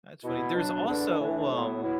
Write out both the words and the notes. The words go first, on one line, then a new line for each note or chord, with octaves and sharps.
That's funny. There's also, um
B2 B3 E4
B2 F#3 D4
E2 D3 B3 D4
A2 E3 A3 D4
A2 F#3 B3 E4
F#3 B3 E4